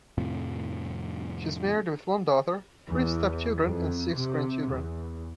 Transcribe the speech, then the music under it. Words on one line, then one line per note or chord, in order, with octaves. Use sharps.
She is married with one daughter, three stepchildren and six grandchildren.
F2 A2 C3 F3
E2
F2
C3
E2